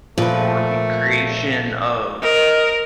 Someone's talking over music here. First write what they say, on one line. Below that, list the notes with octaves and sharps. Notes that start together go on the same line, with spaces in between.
or the creation of,
A#2 F3 A3 B4
A#4 C5 D#5